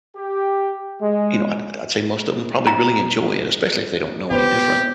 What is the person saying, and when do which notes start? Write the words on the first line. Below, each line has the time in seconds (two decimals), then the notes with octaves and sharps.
you know, I'd I'd say most of 'em probably really enjoy it, especially if they don't know any different
0.16 G4
1.01 G#3
2.67 A#5
4.31 B3 G4 B4 C5